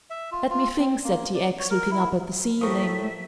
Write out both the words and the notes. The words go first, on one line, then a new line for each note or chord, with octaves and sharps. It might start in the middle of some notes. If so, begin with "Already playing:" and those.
"Let me think," said T. X., looking up at the ceiling.
E5
F4
F4
C4
A#3
D5
C#5
A#4
E4
A2 F3 A3 A#4 E5 C#6 D#6